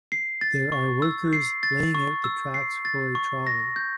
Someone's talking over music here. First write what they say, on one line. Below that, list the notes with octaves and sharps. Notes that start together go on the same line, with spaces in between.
There are workers laying out the tracks for a trolley.
C7
A6
C#6
E6
C7
A6
C#6
E6
C7
A6
C#6
A#6
G6